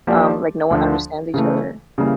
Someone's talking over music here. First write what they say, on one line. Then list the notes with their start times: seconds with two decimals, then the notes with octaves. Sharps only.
um, like, no one understands each other?
0.07 F3 A#3 D4 G4 D5
0.71 D2 D3 F3
1.34 C#3 E3 A3
1.98 C#3 E3 G3 A#3